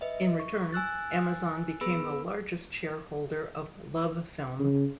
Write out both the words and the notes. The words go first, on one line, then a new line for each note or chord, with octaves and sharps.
In return, Amazon became the largest shareholder of LoveFilm.
B4 D#5 E5
C#6
G#5 E6 F#6 A6
B3 G#4 B4 B5 E6
C#3